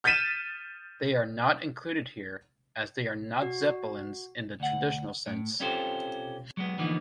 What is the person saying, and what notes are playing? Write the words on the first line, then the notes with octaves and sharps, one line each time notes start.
They are not included here, as they are not Zeppelins in the traditional sense.
F6 G6 A6 B6 D#7 E7
F#4
D2 F#5
A2
C4 C#4 F4 G4 A4 C5
F#3 G#3 B3
D3 E3 F3 A#3 B3 D#4